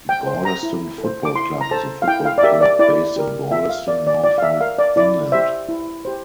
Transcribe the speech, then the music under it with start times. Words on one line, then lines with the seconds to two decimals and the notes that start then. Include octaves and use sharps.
Gorleston Football Club is a football club based in Gorleston, Norfolk, England.
0.09 G5
0.27 C5
0.45 A#5
0.63 E4
0.98 A4
1.04 C5
1.25 D6
1.35 E4 C6
1.61 A#5
1.71 A4 C5 A5
2.02 F5
2.07 E4 G5
2.25 F5
2.38 D5
2.43 G4 A#4 E5
2.61 D5
2.79 E4 D5
3.16 G4 A#4
3.51 F4 E5
3.70 F5
3.88 A#4 D5
4.07 D5
4.24 F4 D5
4.38 F5
4.43 E5
4.61 A#4 F5
4.78 D5
4.96 E4 D5
5.32 G4 C5 E5
5.69 E4
6.05 G4 C5